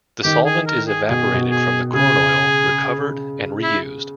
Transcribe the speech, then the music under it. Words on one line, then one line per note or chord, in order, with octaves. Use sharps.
The solvent is evaporated from the corn oil, recovered, and re-used.
D#3 G4
G#4
A#4
G#4
B2 G#4
B2
G#4
C#3 G#4
E4